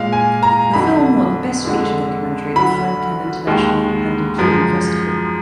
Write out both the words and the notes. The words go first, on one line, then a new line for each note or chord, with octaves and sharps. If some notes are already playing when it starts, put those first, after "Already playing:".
The film won Best Feature Documentary at the Franklin International Independent Film Festival.
Already playing: A#2 G#3 F5
G#5
A#5
F2 D3 F#3 B5
F2 D3 G#3
D2 D3 F#3 B5
D#2 D#3 G#3
F#2 F3 G#3